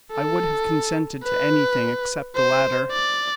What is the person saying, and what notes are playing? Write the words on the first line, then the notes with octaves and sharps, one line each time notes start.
I would have consented to anything except the latter.
A4
B4
C5
D5